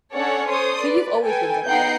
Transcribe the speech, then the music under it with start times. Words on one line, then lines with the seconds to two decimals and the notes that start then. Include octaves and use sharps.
So, you've always been good at it?
0.12 C#4 D4 A4 C#5 D5 F#5
0.47 A4 C5 C#5 C6 D#6
0.77 B4 D5
1.23 A4 B4 G5 G#5
1.65 B3 D#4 F#5 G5 G6 C7